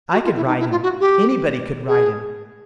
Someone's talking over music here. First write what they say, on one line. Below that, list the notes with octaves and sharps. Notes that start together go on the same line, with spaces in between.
I could ride him; anybody could ride him.
F#4
F4
E4
D#4
E4
F4
F#4
G4
G#4